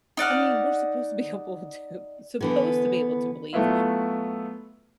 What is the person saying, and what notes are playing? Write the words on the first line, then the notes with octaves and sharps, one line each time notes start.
I mean, we're supposed to be able to, supposed to be able to believe
D#4 D5 F#5 F6
D3 E3 B3
F#3 A3 B3 E4 F4